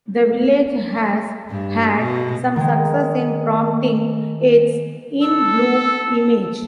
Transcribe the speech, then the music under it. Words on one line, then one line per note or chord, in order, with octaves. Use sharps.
The village has had some success in promoting its "in bloom" image.
G2
B2
D#3 G#3
A4 E6